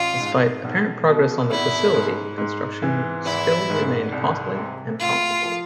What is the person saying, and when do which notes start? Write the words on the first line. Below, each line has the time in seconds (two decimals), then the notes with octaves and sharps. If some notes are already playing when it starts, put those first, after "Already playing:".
Despite apparent progress on the facility, construction still remained costly and complicated.
Already playing: A1 F4
0.20 G#2
0.64 B1
1.08 B2
1.51 G#1 E4
1.94 G#2
2.38 G#2
2.82 E3
3.25 G#1 E4
3.70 G#2
4.12 C2
4.56 C3
4.99 A2 F4
5.44 F3